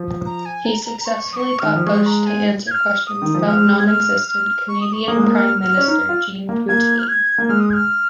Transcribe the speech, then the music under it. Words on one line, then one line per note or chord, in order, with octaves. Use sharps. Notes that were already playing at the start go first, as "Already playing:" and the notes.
He successfully got Bush to answer questions about non-existent Canadian Prime Minister "Jean Poutine".
Already playing: F3
A#5
G#5
A#5
A#5
A#5
C#6
D#6
C#6
D#3 F6
F3
G#3 C#6
A#5
G#5
G#6
F6
D#6
D#3
F3
G#3 F6
G#6
F6
F6
C#6
D#6
C#6
A#3 D#6
G#3
A#3
F6
F6
C#4
D#4 F6
F4
A#3
A#3 G#6
F6
G#6
A#3
G#3 F6
D#6
G#6
F6